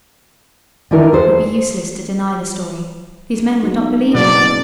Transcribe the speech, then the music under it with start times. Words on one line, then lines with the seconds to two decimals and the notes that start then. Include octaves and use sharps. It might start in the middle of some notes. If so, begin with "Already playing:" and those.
It would be useless to deny the story; these men would not believe her.
0.91 D3 D#3 E4 A4 A#4
1.13 G#4 A4 C5
3.62 B1
4.14 F#1 B2 D5